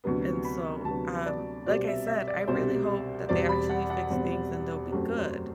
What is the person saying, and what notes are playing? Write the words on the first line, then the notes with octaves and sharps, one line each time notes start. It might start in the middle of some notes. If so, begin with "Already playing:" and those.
And so, um, like I said, I really hope that they actually fix things and they'll be good,
D2 C3 F#3 B3
B5
D2 C3 F#3 B3 A5
D5
C2 B2 G3 C4 D5
E5
E5
D5
C2 B2 G3 C4 C5
E2 B2 G3 C4 D5
B5
F#5
F#5
E2 B2 G3 C4
F#2 F#3 A3 C4 G4
C5